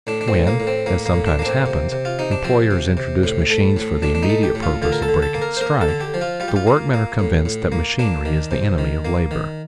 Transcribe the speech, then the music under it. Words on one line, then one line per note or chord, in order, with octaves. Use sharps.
When, as sometimes happens, employers introduce machines for the immediate purpose of breaking a strike, the workmen are convinced that machinery is the enemy of labor.
A2 D4
D4
C4
A2
A#3
A2
C4
A2 A#3
A#3
A2
D4
A#3 D4
C4
C3
C3
F4
C3 D#4
D4
F3 C4
C3
C3
A2
A3
A2
A2 D4
D4
D#4
A3
G4
A2
F4
D3 F4
A#4
A4
D3
A4
A#3
A#4
C5
A#3 A#4
A4
D3
G4
F3
F4
G3 F4
G4
F4
A#3
A#3
A2
A2
A#3
A#3 D4
D#3
C3
D#3
A#3
D#3